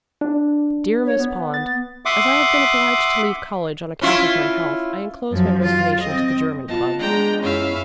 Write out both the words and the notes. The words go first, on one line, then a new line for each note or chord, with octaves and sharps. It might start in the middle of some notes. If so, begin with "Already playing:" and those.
DEAR MISS POND: As I have been obliged to leave college on account of my health, I inclose my resignation to the German Club.
D4
C#5
B3
A6
E5 F#5 C6 D6 D#6
C#4 E4 F4
F#2 F3
F4
C4 D#5
B3 F4 B4 D#5 A5
G#3 D4 G5 A#5
F#2 C#4 E4 E5 F5